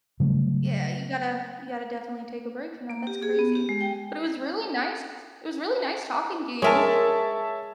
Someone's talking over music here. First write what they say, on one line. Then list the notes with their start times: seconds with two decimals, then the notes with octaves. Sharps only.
Yeah, you gotta you gotta definitely take a break from that, that's crazy. But it was really nice it was really nice talking to you.
0.20 C#3 F#3 G3 A3
2.90 A#3
3.07 G4
3.22 G#4
3.39 B3
3.55 G4
3.69 G#3
3.81 G5
6.62 G#3 A#4 C#5 E5 A5